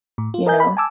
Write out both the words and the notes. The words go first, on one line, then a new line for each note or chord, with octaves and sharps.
you know?
A2
F4
A#4 D#5 G#5 G6
B5
G#5 A5 D6 E6